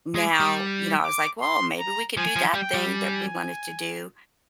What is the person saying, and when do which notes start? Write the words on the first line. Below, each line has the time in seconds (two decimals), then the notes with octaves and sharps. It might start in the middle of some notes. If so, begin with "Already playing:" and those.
now, you know, I was like, well, maybe we could do that thing that we wanted to do
0.15 G#3
0.28 D6
0.40 G3
1.04 D6
1.41 C6
1.79 A#5
2.17 F3 G#5
2.36 F3
2.54 G3 G5
2.74 G3
2.92 G#5